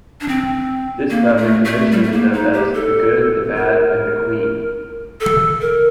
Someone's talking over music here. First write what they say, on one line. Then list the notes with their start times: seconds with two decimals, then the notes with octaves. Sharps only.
This project eventually ended up as The Good, the Bad and the Queen.
0.21 D4
0.28 C4
1.10 A#3
1.37 A3
1.65 A3
1.92 G3
2.03 A3
2.12 A#3
2.33 D#4
2.54 G4
2.74 A4
3.56 A#4
5.21 A4
5.61 A#4